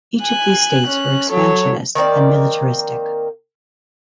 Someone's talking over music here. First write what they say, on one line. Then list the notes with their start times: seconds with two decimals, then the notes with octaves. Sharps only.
Each of these states were expansionist and militaristic.
0.22 G#5 F#6
0.86 C#4
1.29 F#3 A4 C#5
1.95 D#3 A#3 C4 D5